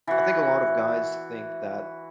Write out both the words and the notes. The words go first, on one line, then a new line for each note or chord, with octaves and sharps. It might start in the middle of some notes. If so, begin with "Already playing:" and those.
I think a lot of guys think that-
E3 F#4